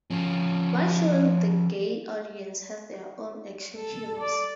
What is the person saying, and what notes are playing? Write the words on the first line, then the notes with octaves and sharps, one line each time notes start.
Why shouldn't the gay audience have their own action heroes?
F3 C#4
A4
D5